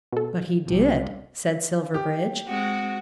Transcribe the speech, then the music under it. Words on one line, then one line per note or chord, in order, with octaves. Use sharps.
"But he did," said Silverbridge.
B2 A4
C2 C3
G4
G#3 C4 F#4